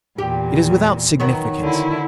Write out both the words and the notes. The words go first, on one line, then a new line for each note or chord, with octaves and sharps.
It is without significance!
E2 A#2 G4
D#3 F#3 B3
D3 E4